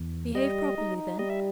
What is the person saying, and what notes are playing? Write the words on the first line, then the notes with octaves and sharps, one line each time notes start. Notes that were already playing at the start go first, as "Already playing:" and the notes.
'Behave properly, then.'
Already playing: E2
G3 D#5
D#4
G3 D#5
E5